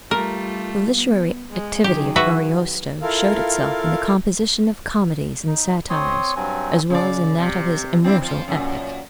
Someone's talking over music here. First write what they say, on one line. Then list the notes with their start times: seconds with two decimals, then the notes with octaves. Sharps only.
The literary activity of Ariosto showed itself in the composition of comedies and satires, as well as in that of his immortal epic.
0.11 G3 A3 F4 A#4
0.94 B3
1.51 G#3
1.84 D#3 F#3 G4 G#4
2.16 F#4 B4 E5
3.01 E4 F4 A4 A#4 F5
5.47 D#4
5.90 C4 C#5 C6 D#6
6.36 G2 F#3 C4 G#5
6.90 C#3 D5
7.38 C3
8.04 C4 D4 E4
8.22 F3 F4
8.48 F#2 A#2